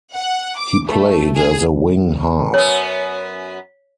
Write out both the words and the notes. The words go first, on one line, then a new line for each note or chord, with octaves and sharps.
He played as a wing half.
F#5
D6
A3
G#4
F#2 B3 C#5